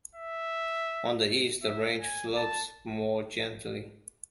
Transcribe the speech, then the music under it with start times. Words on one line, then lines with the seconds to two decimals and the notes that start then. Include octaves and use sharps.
On the east, the range slopes more gently.
0.15 E5
1.63 E5
2.00 G#5
2.37 A5